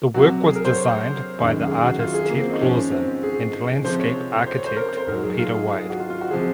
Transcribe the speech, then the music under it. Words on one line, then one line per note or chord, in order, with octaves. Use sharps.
The work was designed by the artist Ted Clausen and landscape architect Peter White.
C3 F#3 F#4
G#4
A#4
C5
C#5
F#2 D#3 G#3
G#4
F#4
F4
G#4
A#3
C4
D#4
G#2 F3 G#3 C#4
C4
G#4
C3 F3 G#3 C5
C#5
C5
C#5
C5
A#4
C5
G#2 F#3 A#4
G#4
F4
G#4
G#4
F#4
F4
F4
F#4
C3 F3 G#3 G#4